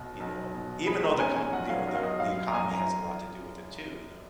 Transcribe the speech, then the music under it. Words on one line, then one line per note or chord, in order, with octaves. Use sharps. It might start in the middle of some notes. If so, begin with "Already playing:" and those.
you know, even though the com you know, the the economy has a lot to do with it too, you know.
Already playing: B1 B2
B1
B2
G#3 B5
A#5
C#4 G#5
G#5
B1 F#5
F5
B1
F5
D#5
F#2 F5
A#5
F#2 G#5
A#5